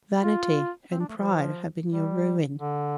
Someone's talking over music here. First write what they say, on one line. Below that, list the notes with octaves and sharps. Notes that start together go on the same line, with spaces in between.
Vanity and pride have been your ruin.
F4
C4
D4
A3
F3
G3
D3